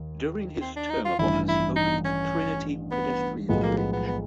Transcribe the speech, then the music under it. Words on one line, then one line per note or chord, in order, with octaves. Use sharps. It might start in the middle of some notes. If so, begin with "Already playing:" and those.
During his term of office he opened the Trinity pedestrian bridge.
Already playing: D#2
C4
D4
D#4
F4
A1 G2 E3 E4
E4
D#4
C#4
B3
B1 A2 F3 G#3 B3
A#3
B3
B3
B3